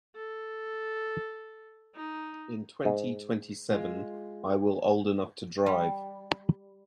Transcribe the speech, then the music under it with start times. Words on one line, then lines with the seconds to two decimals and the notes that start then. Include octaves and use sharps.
In twenty-twenty-seven I will old enough to drive.
0.16 A4
1.95 D#4
2.85 G#2
3.71 G#3 F4
5.66 G3